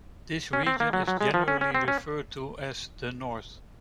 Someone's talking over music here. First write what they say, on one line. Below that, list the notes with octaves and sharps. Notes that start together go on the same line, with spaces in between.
This region is generally referred to as "The North".
C#4
C4
A#3
F#3
F#3
G#3
F3
C#4
C#4
C4
C#4